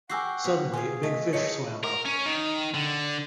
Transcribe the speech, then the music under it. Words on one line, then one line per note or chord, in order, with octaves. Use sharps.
Suddenly, a big fish swam up.
F#4 G4 A#4 F#5 G#5 E6 C7
B2
F4 G#4 G#5
A3 D#5
G#3 A3 D#4 C#5 D#5 C#7
A#4
C#4
D#3
D3